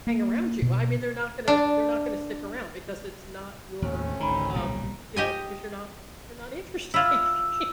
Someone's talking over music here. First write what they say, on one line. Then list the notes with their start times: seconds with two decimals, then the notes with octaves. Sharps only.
hang around you. I mean, they're not gonna they're not gonna stick around, because it's not your, um you know, because you're not you're not interesting. I mean
0.07 A#3
0.62 B2
1.48 D4
3.82 D#2 A2 A3 C4 C#4
4.20 A1 D2 D#3 A#5 B5
4.54 B1 A#2 G3 A#5
5.16 G4 D#5 G#5
6.94 E4 F4 E6